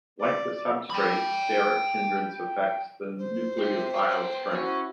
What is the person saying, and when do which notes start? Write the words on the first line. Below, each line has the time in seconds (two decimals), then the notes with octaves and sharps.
Like the substrate, steric hindrance affects the nucleophile's strength.
0.21 D5
0.90 G5 B5
3.18 C5
3.58 C4 G4 E5
3.94 B3 G5
4.54 C#4 E4 F#4